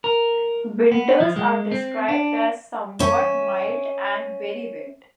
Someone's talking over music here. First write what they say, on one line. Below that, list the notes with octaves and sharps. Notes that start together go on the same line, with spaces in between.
Winters are described as somewhat mild and very wet.
A#4
B3
F3
G#3
C4
D4
C#4 E5